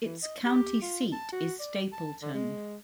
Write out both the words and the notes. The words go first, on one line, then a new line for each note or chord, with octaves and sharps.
Its county seat is Stapleton.
E3
D#5
G4
F4
A5
F#4
D5
A5
D3
G#3